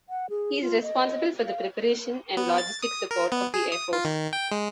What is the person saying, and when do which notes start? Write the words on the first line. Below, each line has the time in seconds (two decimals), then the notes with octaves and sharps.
He is responsible for the preparation and logistic support of the air force.
0.09 F#5
0.30 G#4
0.62 F4
0.82 D#5
1.46 F5
2.37 B3
2.58 A6
2.82 D#6
3.11 A#4
3.32 B3
3.54 G#4
3.72 D#6
3.93 F4
4.05 D#3
4.33 G5
4.51 G#3